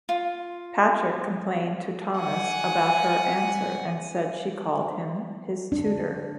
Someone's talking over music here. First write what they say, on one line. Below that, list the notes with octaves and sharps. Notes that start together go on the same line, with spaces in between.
Patrick complained to Thomas about her answer and said she called him "his tutor".
F4
F#5 G#5
D4